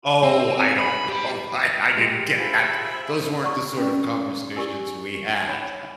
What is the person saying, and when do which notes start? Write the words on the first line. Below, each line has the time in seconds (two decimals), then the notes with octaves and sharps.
Oh, I don't know why I didn't get that. Those weren't the, sort of, conversations we had, uh,
0.23 C4
0.58 G#5
0.78 B5
1.08 G4 B5
1.97 A#2 G#3 G4
2.38 F4 G#4 C5 E5 B5
3.43 D5 F#5 A#5 C#6
3.78 C#4 B4 D5
4.56 E4 G4 A#4 D5 G#5 E6
5.46 D#4 E4 C#5 B5